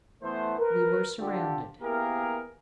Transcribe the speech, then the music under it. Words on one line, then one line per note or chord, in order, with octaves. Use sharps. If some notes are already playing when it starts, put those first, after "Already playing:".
We were surrounded.
E3 A3 B3 C5
A#4 B4
D3 F4 G4 A4
A#3 B3 E4 G4 G#4 A#4